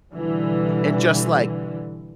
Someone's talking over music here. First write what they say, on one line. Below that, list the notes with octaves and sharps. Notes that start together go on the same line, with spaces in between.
and just, like,
B2 D3 E3 G3